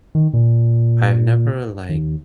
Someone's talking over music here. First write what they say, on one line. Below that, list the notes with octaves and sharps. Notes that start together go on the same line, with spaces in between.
I've never, like-
D#3
A#2
D#2